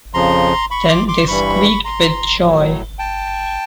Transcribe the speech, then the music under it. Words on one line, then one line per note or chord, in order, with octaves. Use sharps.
Then they squeaked with joy!
F2 C#3 F3 A#5 C6
B5 C#6
C6 D6
C6 D6
G2 E3 G3 B5 C#6
A#5 C6
A2 F#3
G5 A5